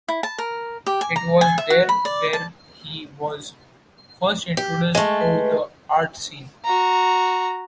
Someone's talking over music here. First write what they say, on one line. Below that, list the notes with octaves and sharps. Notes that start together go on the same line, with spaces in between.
It was there where he was first introduced to the art scene.
E4
A5
A#4
G4
G#5
A#5
G#5
E5
F#4
B5
D5
A5
G4
G#3 A3
B4
F#4 A#5